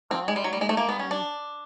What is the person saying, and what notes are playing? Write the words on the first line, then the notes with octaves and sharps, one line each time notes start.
oh man.
C4
G#3
G3
F#3
G3
G#3
A3
A#3
B3
C#4
D4